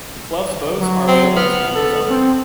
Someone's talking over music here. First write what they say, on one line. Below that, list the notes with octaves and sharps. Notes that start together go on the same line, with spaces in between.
The club's boats are available to members only.
F#3
C4
B3 F6
A4
C4